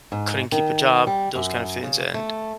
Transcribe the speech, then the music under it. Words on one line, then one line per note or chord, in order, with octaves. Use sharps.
couldn't keep a job, those kind of things and
G#2
D#3
G3
F#2
C#3
A3